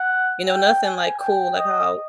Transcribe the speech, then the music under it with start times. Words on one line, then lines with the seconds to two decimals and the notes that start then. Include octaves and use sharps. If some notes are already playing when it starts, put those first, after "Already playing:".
you know, nothing like cool, like how,
Already playing: F#5
0.47 G5
0.84 G#5
1.19 G5
1.57 D#5